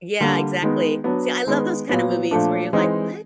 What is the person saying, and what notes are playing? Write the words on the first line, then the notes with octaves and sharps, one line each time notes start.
Yeah, exactly, see, I love those kind of movies where you're like, "What,
D3 G3 A#3
D#3 G#3 B3
F#3 B3 D4
D#3 G#3 B3
A#2 F#3 B3
A#2 F3 A3 D4
E3 G#3 C4 D#4